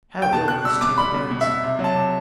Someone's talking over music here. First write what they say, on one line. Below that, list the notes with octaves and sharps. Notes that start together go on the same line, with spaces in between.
How ill this taper burns!
G5
B2 A5
B2 F#6
G3 E6
B2 D6
G3 B5
B2
B2
E5
B2
C3
F#3
A5
C3